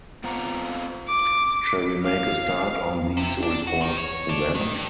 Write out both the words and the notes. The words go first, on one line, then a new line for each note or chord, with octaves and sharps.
Shall we make a start on these reports then?
B3 C4 F4 A#5
D6
F5
C3
D4
F#4
D#3
C#5
D4
D#3
G2